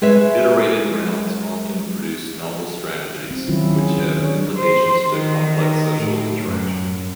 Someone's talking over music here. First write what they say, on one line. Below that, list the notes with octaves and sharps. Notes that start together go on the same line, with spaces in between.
Iterated rounds often produce novel strategies, which have implications to complex social interaction.
G#3 B4 C#5 E5
C4
D#3 F#3 C#4 E4 F4
C#4 F#4 G#4
D#3
D4 C#5
C5
D#3
A2
F#2